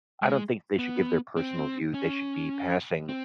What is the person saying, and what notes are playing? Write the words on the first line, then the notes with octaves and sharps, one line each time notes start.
I don't think they should give their personal view, they should be passing
G#3
B3
C4
C#4
C4